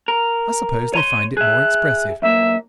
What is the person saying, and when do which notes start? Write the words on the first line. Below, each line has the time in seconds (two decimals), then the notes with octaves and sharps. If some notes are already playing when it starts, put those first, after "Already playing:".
I suppose they find it more expressive.
0.08 A#4
0.94 C#5 A#5 C6 D#7
1.37 G#4 E5 F#6
2.22 B1 A#3 E5